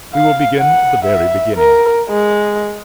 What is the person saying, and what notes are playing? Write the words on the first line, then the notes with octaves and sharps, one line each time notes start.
We will begin at the very beginning.
F5
F#5
E5
A#4
G#3